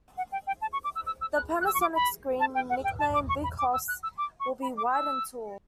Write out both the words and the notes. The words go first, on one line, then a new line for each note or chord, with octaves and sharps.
The Panasonic screen, nicknamed "Big Hoss", will be wide and tall.
F#5
G5
G5
A5
C#6
D6
E6
E6
E6
F#6
F#6
E6
C#6
D6
B5
A5
G5
F#5
G5
A5
D6
C#6
B5
D6
E6
F#6
E6
D6
C#6
B5
D6
E6